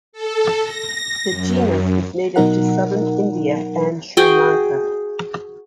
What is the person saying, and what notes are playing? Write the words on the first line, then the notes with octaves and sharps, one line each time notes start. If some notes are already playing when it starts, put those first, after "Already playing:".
The genus is native to southern India and Sri Lanka.
A4
A#6
F#2
B2 F#3 D#4 A#4 F#5
F#4 G#4 G5